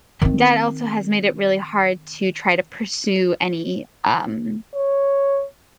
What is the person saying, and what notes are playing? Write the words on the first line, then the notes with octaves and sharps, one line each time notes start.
that also has made it really hard to try to pursue any, um,
D#3 C4
C#5